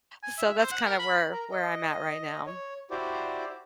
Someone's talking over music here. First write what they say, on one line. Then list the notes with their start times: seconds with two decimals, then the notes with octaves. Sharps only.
So, that's kinda where where I'm at right now.
0.23 G#5
0.38 E5
0.59 C5
0.72 F#5
0.86 A#4
0.99 B5
1.33 A#4 A#5
1.51 D#5
2.46 C#5
2.91 E4 F#4 G4 C5 D5